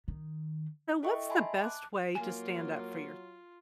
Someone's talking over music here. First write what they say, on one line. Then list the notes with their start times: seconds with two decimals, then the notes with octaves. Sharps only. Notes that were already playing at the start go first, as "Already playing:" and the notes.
So what's the best way to stand up for yours
0.08 D#3
1.03 E4 A4 D#5 E5 G5 C#6
1.29 D#5 E5 G#5 A5 B5 C6
1.62 A5 D6 F#6
2.15 F#3 A#3 F4 G#5